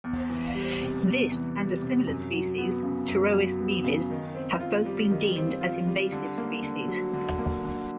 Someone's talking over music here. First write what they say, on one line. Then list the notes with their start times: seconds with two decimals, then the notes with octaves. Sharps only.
This and a similar species, "Pterois miles", have both been deemed as invasive species.
0.04 E2
0.30 E3
0.55 G3
0.81 C3
1.06 E2
1.32 E3
1.57 G3
1.82 C3
2.07 F#2
2.33 F#3
2.58 B3
2.83 C#3
3.08 F#2
3.34 F#3
3.59 B3
3.84 C#3
4.10 D#3
4.35 C4
4.60 F4
4.86 G3
5.11 D#3
5.36 C4
5.61 F4
5.87 G3
6.12 D3
6.38 A#3
6.63 D3
6.88 F#3
7.13 D3
7.39 A#3
7.64 D3